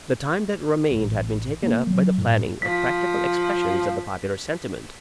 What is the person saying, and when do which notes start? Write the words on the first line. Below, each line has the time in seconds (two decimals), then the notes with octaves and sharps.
The time that remained had been taken up by the planning of practical expressions of the popular sentiment.
0.92 A1
1.63 A#3
1.87 F#3
2.18 A2
2.62 F3 B6